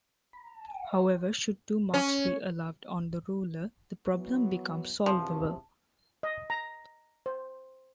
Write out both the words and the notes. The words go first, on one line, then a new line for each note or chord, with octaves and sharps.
However, should two marks be allowed on the ruler, the problem becomes solvable.
C#4
E3 F#3 B3
E2 G2 C3 F3
D#5
A#5
C5